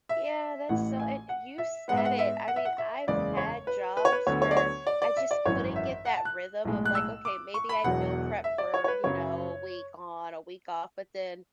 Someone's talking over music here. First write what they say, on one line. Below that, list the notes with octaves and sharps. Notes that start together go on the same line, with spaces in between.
Yeah, that's so and you said it, I mean, I've had jobs where I just couldn't get that rhythm of, like, okay, maybe I'd meal prep for, you know, a week on, a week off, but then,
E5
A1 A2 E3 F#5
G#5
F#5
E5
G#2 G#3 B3 F#5
E5
F#5
E5
F#5
E5
F#5
E5
F#1 E2 C#3 G#3 D5
C#5
B4
B4
C#5
B4
D2 D3 F#3 B3 C#5
C#5
D5
C#5
D5
D5
E5
D5
G#1 F#2 E3 C#5
E5
F#5
A5
F#6
B1 A2 G#3
F#6
E6
D6
C#6
B5
E1 E2 B2 F#3 F#5
E5
D5
C#5
C#5
B4
F#2 C#3 F#3 C#5